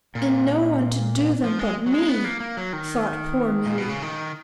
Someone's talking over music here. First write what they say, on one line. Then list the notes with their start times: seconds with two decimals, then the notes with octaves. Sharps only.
"And no one to do them but me," thought poor Milly.
0.15 A#2
1.44 F3
1.59 G#3
1.86 F#3
1.92 G#3
2.08 B3
2.24 A#3
2.40 A#3
2.57 F#3
2.73 D#3
3.65 A#2
3.78 B2
3.89 C#3
4.02 D#3